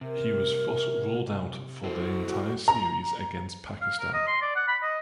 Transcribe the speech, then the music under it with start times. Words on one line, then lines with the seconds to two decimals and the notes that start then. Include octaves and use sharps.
He was thus ruled out for the entire series against Pakistan.
0.01 C3 A#4
1.83 E4 F#4 A4 C5
2.68 A#5
3.82 F5
4.00 A#4
4.14 D#5
4.27 C6
4.42 D5
4.56 F#5
4.68 B5
4.82 D#5